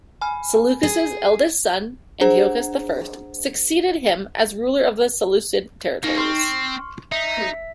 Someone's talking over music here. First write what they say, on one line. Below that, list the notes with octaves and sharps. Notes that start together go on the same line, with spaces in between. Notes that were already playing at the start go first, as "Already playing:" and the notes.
Seleucus' eldest son Antiochus the First succeeded him as ruler of the Seleucid territories.
G#5 B5 F6
G#4
D4 G#4 C5 F#5 A#5
A#3 C#4 D#4
C4 C6 C#6 F6
D#4 E5 B6